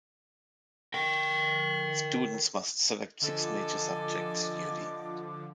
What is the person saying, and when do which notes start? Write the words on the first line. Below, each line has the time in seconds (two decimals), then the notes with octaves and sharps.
Students must select six major subjects yearly.
0.94 A#4 G5
3.21 D3 F3 A4 D#5 G#5 A5 D6